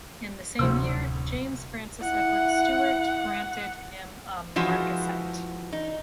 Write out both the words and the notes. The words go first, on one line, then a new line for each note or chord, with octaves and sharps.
In the same year, James Francis Edward Stuart granted him a marquessate.
D1 B1 C3 C#4 C5 E6
E4 F#5
E3 F3 G#3 F#4
D#4